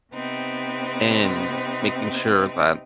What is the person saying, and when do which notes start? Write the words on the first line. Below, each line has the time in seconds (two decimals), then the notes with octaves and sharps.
and making sure that
0.13 C3 B3 C4 D#4